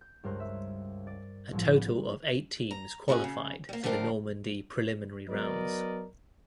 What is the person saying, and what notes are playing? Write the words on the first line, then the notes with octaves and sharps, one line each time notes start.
A total of eight teams qualified from the Normandy preliminary rounds.
G6
C#2 G2 A#4 C5 F#6
E5
D5
C2 A2 F3
B3
A#5
D3 C#4 E4 F#4 G#4
C#3
G3 A#3
D3 F3 A3 C4 A#4
F#3 B3 A#4 D5 D#5